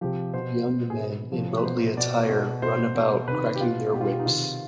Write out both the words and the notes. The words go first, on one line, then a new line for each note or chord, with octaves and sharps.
Young men in motley attire run about cracking their whips.
C3 F3 G4
B2 C5
B2
G#4
B2 B4
C3 F3
B4
B2 C5
B2 D5
B2
B2 C5
B2
C3 D#3 B4
G4
B2 F4
B2 G4
F4
G4
D#4
C3 D#3 F4